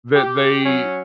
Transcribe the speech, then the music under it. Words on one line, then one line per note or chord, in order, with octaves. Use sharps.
that they
G4
F#3 C#4